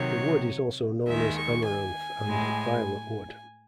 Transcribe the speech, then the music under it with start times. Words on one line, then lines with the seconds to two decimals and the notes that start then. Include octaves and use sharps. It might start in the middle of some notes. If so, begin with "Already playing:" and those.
The wood is also known as amaranth and violet wood.
Already playing: C3 D#3 F#3 C#5
1.07 D#2 D#3 G#3 E5
1.37 C#6
1.67 G#5
2.26 A2 G#3